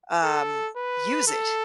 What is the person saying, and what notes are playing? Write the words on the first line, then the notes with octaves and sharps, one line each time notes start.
um, use it
A4
B4
A4